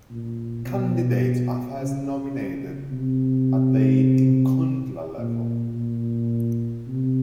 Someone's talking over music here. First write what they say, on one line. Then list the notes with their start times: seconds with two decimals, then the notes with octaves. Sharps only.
Candidates are first nominated at the "tinkhundla" level.
0.10 A#2
0.66 B2
1.79 C#3
2.92 C3
5.18 A#2
5.75 A#2
6.88 C3